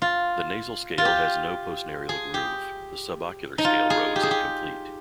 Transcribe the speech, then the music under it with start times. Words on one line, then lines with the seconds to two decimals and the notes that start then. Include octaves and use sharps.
The nasal scale has no postnarial groove; the subocular scale row is incomplete.
0.02 F4
0.98 F4
1.05 G4
2.09 G#4
2.34 G4
3.58 D#4
3.65 F4
3.90 G#4
4.16 G4
4.23 G#4
4.31 G4